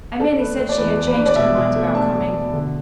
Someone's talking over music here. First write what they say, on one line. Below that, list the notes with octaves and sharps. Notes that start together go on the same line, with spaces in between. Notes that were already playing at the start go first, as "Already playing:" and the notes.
"I merely said she had changed her mind about coming."
D4 A4
A3 B4
A3
D5
E2 B4
E2
B4
D4
D5
B2 E5
B2
A3
D4 A5
A3
B2
D3